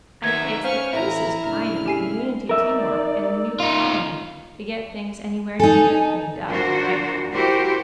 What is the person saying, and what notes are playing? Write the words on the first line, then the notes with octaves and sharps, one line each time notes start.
And it takes the closest kind of community team-work in the newt colony to get things anywhere near cleaned up by nightfall.
D#3 B3 E5 A#5 G#6 A#6
C#4 C5 F5 C#6 F6
A2 E3 A3 E4 A#5
A2 C#3 D4 F6
G4 G#5 C7
D#4 A#4 D5 E5
D#4 F4
D#4 A4 G#5
D4 F4 F#4 A#4 C5
E4 F#4 G4 A#4 C5